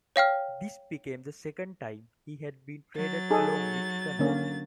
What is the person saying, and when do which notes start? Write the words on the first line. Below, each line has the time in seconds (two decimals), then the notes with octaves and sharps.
This became the second time he had been traded along with Kunnert.
0.16 C#5 F5 G5 F6
2.95 F#3 A6
3.30 D#4 G#4 A4
4.19 D3 A#3 C#4